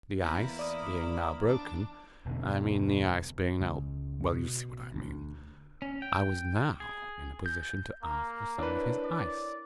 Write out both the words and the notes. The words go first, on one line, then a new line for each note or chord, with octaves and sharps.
The ice being now broken--I mean the ice being now--well, you see what I mean--I was now in a position to ask for some of his ice.
E2 A#3 E4 B5
D5 D#6
D4
E1 B2 D3
C#2
B2
D2
C#4
G5
G#4
G6
A#3 A#5
D4 E4 A#4 B4 C#5
D5